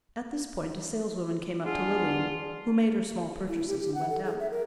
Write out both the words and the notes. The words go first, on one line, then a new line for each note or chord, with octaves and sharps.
At this point a saleswoman came up to Lilian, who made her small purchases and went out.
E2 D4 F4 G#4 F#5
E4
G4
G4
F#5
A4
G#4
E5
A#4